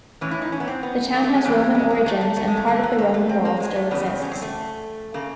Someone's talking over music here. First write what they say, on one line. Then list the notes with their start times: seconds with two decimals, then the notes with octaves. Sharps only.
The town has Roman origins and part of the Roman wall still exists.
0.21 A2 E3 C#4
0.31 E4
0.42 D#4
0.52 C#4
0.60 B3
0.68 C4
0.83 B3
1.14 A#3
1.24 A3
1.34 G#3
1.45 F2 C#3 E3 G#3
1.75 G#3
1.90 G#3
2.06 A3
2.21 A3
2.37 A3
2.48 G#3
2.57 A3
2.68 G2 D3 A3
2.83 B3
2.98 A#3
3.14 A3
3.29 C4
3.45 A#3
3.60 G#3
3.76 A3
3.91 E2 C#3 B3
4.06 C4
4.22 C#4
4.32 C4
4.42 A3
5.14 C#3 A#3